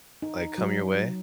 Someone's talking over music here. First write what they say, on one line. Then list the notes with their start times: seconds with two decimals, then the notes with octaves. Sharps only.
like, come your way.
0.22 D#4
0.58 F#3
0.94 F#3